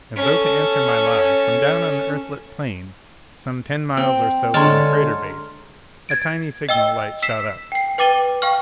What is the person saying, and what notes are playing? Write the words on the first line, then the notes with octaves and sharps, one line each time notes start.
As though to answer my lie, from down on the Earthlit plains, some ten miles or so from the crater base, a tiny signal light shot up.
C#4 A4
C4
D3 G#3 C#5 A5 A#5 C6 F6
G#6 A6 D7
D#5 G5 E6 G7
E6 B6 C7 E7
G5 C7
B4 G5 D6 A6 D#7 G7
F5 G5 C#6 F6